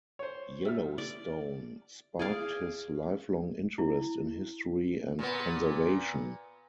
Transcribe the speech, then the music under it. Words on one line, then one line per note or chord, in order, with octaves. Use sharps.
Yellowstone sparked his lifelong interest in history and conservation.
C5 C#5
G3 E5 F6
D5
G#4 D5 F5
E4
A#2 B3